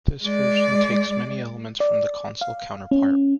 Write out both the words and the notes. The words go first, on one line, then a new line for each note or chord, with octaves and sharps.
This version takes many elements from the console counterpart.
G#3 D5
D5
F5
C#4